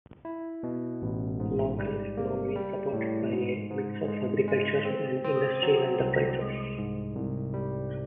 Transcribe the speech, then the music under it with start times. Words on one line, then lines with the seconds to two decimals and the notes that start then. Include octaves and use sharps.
The local economy is supported by a mix of agricultural and industrial enterprises.
0.25 E4
0.63 B2
1.02 A1
1.40 G#2
1.78 G3
2.17 A#3
2.56 G3
2.93 A2
3.33 G#2
3.71 G#2
4.08 G#3
4.47 G#3
4.85 C4
5.24 C4
5.63 F#3
6.00 C2
6.40 G#3
6.78 G#2
7.15 C2
7.54 G3